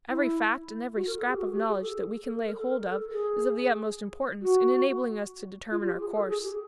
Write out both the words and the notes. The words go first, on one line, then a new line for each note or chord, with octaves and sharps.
Every fact and every scrap of knowledge that we can lay hold of is of the utmost importance in enabling us to determine our course.
E4
F#4
A#4
A4
G#4
G4
F#4
G4
G#4
A4
A4
A#4
A#4
A4
A#4
A4
G#4
F#4
F4
G4
G#4
A4
G#4
G4